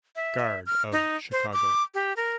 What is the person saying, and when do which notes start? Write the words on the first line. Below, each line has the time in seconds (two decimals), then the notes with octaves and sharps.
Gard of Chicago.
0.16 E5
0.66 F6
0.92 D#4
1.32 C5
1.53 D6
1.94 G4
2.17 A#4